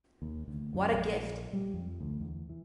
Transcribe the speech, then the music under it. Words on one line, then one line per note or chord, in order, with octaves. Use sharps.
What a gift.
D#2
D2
F#2
A#1
G3
F2
D2
E2
E3